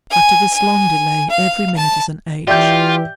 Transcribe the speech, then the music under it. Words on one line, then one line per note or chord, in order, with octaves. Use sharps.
After this long delay, every minute is an age.
G#5
G#5
F5
A5
E3 F4 G4 D5 E5 G6